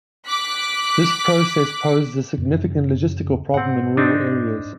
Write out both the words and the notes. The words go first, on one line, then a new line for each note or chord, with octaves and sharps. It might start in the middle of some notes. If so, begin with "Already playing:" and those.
This process poses a significant logistical problem in rural areas.
D6 F#6 B6
F#2 C#3
G#2 C4 F#5
C4 D4 D#4